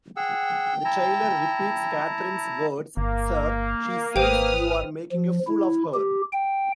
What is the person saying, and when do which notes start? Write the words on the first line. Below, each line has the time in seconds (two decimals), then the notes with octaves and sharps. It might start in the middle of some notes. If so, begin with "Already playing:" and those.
The taylor repeats Katherine's words: Sir, she says you're making a fool of her.
0.16 G#4 F#5 G5 E6
0.85 E4 A5 A#5
2.97 G1 A#3
4.16 G#1 B4 C5 G5 D#6 F6
5.12 F3
5.47 E4
5.94 G4
6.33 G5